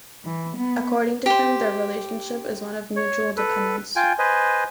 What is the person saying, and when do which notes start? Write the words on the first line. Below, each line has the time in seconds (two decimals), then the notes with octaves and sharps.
According to him, their relationship is one of mutual dependence.
0.25 E3
0.57 B3
1.26 G4 C5
2.96 C#5
3.37 A4 B4
3.96 F4 G5 G#5
4.19 B4 C5 D#5 G#5